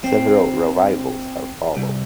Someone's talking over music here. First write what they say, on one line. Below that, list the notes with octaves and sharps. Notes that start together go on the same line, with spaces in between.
Several revivals have followed.
C4
C2